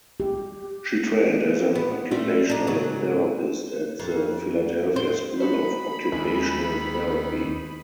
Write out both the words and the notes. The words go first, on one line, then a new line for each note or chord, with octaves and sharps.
She trained as an occupational therapist at the Philadelphia School of Occupational Therapy.
G4
B3
G3 A3 C4
D4 D#4
G#2 C#3 F#3
F2
C5
D#4 F#4 C5 B5
D#2 G#3 E4